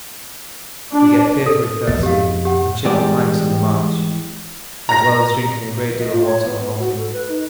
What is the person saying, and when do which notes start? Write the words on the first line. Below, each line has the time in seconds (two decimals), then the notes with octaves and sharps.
We get fearfully thirsty and chip up ice on the march, as well as drinking a great deal of water on halting.
0.93 D4
1.46 A4
1.87 F2 B2 D#5
2.03 G4 F5
2.45 G4 F#5
2.85 E2 G#2 G3 G4 D5
4.89 A#5 A#6
5.86 A#3
5.99 D#5
6.12 F4
6.25 C#5
6.44 B3
6.60 B3
6.79 F#4
6.97 A4
7.13 B4
7.28 D#4